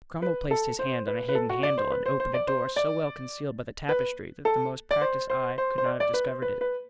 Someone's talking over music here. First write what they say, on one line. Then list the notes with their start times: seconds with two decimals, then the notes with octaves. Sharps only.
Cromwell placed his hand on a hidden handle and opened a door so well concealed by the tapestry that the most practiced eye could not have discovered it.
0.22 B4
0.51 A4
0.79 C5
1.07 B4
1.29 B4
1.35 A4
1.49 F#4
1.63 D5
1.78 C5
1.91 B4
2.06 C5
2.20 C5
2.34 D5
2.48 C5
2.76 D5
3.89 B4
4.45 A4
4.91 D5
5.01 C5
5.30 C5
5.58 C5
5.78 C5
5.86 D5
6.00 D5
6.14 B4
6.28 C5
6.42 B4
6.61 B4